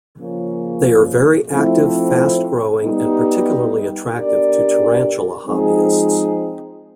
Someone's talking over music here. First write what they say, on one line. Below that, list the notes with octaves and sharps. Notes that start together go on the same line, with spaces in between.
They are very active, fast-growing and particularly attractive to tarantula hobbyists.
C#3 F3 A#3 C#4
F3 A3 C4 E4
G3 B3 D#4
B3 D4 G4 A#4 D5
F3 G#3 C4 D#4 G#4